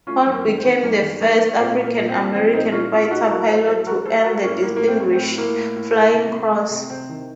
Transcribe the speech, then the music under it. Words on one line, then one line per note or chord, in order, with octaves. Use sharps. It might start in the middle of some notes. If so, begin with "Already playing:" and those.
Hall became the first African American fighter pilot to earn the Distinguished Flying Cross.
A3 C#4 F4
F#2
A#3 C#4
D#3
C4
D#3
F#2 A#3
D#3
A3 A#3
A3
A#2 C4
A#2
A#3
A#2
C4
A#2
F3 C4
A#2 C4 D#4
A#2 C#4 F4
A#2 C#4 F4
F4
A2 D#4 F#4
F#3 F#4 A#4
A2 A4 C5
F#3 A4 C5
F#3 F#4 A#4
A3 A4 C5
A3 F#4 A#4
A2 A#3 C#4
A2 A#3
A2 A#3
C4
A3
C4
A2
A2 A#3
A2
A2
A2
C3
A3
A3
C3
C3 C4
D#3